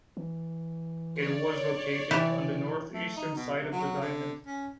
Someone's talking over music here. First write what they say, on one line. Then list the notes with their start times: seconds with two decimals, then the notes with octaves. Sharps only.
It was located on the north-eastern side of The Diamond.
0.17 E3
1.19 C#5 D5
2.11 C3 E3 G4
2.94 A3
3.17 D#4
3.36 B2
3.59 C3
3.72 F#3
4.02 D3
4.46 C#4